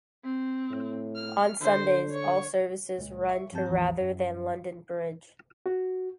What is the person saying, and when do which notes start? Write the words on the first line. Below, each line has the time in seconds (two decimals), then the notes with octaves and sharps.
On Sundays all services run to rather than London Bridge.
0.25 C4
0.70 A2
1.16 F6
1.61 D3 C5
2.11 C#5 C#6
2.98 C#2 A#2
3.29 E5 C#6
3.52 G2 F3 C4 G4 A5 G6
3.66 A1 E2 A2 E3 F3 A#5
4.01 F#2
5.66 F#4